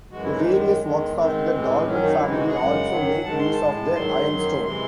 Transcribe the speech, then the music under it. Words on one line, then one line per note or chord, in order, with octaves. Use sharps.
The various works of the Dolben family also make use of the ironstone.
F#2 E3 G#3 F#4
E4
D#4
F#2 D#3 G#3
E2 D#3 G#3
G#2 D#3 G#3 C4
A2 E3 G#3
F#2 D#3 F#3 C#4
D#4
C3 E3 G#3 E4
D#4
F#4
G#4
F#2 C#3 G#3 F#5
F#2 D#3 F#3
G#2 D#3 G#3 A5
C6
A5
A2 G#3
G#2 D#3 F#3 C6
F#2 D#3 F#3
C3 E3 G#3 C6